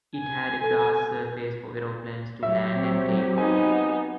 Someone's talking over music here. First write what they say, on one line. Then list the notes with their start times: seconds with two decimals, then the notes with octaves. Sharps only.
It had a grass surface for aeroplanes to land and take off.
0.18 G#5
0.59 A4
2.43 F#3 G4 C#5 E5
2.76 C4
3.38 B3 D#4 G#5